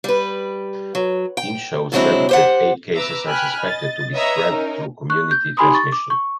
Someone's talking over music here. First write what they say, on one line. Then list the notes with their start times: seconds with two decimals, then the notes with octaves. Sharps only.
Hinshaw said that eight cases are suspected to be spread through community transmission.
0.04 G3 B4
0.95 F#3
1.37 G5
1.92 F#2 D3 F#3 G#3 C4 E4
2.29 G4 C5 F#5
2.95 B4 E5 A#5 D6 E6
3.27 G5 G#5 B5 F6 F#6
3.62 D#5 A6
4.14 B4 C#5 D#5 E5 A#5 D#6
4.48 C#4 D#4 A#4
5.10 C#6 F#6
5.31 G6
5.57 D#4 G4 G#5 B5 C6 D#6
5.74 C#6 A6
5.92 D6
6.10 C#6